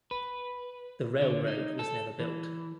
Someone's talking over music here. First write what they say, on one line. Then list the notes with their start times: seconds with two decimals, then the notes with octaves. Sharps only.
The railroad was never built.
0.11 B4
1.21 D3
1.48 D#4
1.79 A4
2.20 E3